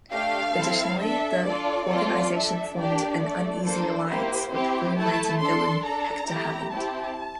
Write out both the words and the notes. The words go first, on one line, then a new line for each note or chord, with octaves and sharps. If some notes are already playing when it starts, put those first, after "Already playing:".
Additionally, the organization formed an uneasy alliance with Green Lantern villain Hector Hammond.
A3 D4 G4 F5
C4 E4 A4
D4 A4 E5
D4 F4 A4 D5
A3 C4 F4 A4
D4 A4 E5
A#3 D4 G4 D5
A3 D4 A4
A#3 D4 A4 C5
A#3 E4 G4 C5
C4 E4 G4
A3 E4 A4 A5
D4 A4 C6
D4 A4 A#5
A3 E4 G4
C4 E4 G4 A5